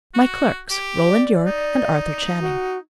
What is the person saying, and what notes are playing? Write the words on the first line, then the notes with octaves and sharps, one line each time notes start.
"My clerks--Roland Yorke and Arthur Channing."
F#4
G4
D5
D#4
F#4